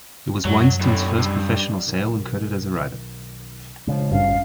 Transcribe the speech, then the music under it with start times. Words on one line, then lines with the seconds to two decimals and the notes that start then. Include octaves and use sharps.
It was Weinstein's first professional sale and credit as a writer.
0.45 F#2 F#3 G3
0.59 F#2
0.80 B1 A2
1.18 G2
1.87 B1 D#3
3.87 A#1 C#3 F3 G#3
4.12 G#1 G2 C#4 F5